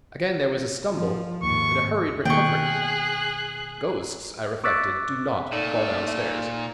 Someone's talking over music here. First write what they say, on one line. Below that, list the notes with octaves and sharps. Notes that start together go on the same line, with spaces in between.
Again there was a stumble and a hurried recovery,—ghosts, I reflected, do not fall down stairs!
F3
D#2 G#2 C#6
D#2 B2 G#4 G5 C#6 F#6
C#6 D6 E6 F#6 A6 B6
A#2 A3 D#4 D5